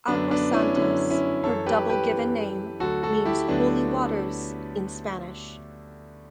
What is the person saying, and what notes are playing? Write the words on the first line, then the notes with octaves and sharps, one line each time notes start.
Aguas Santas, her double given name, means "holy waters" in Spanish.
F#2 D3 F#3 B3 D4
B3 D4
C#4 E4
F#2 D3 F#3 C#4 E4
C#4 E4
F#2 E3 A4 C#5
G4 B4
G4 B4
F#2 E3
D2 D3 F#3 F#4 A4
F#4 A4
E4 G4
D2 D3 F#3 B3 D4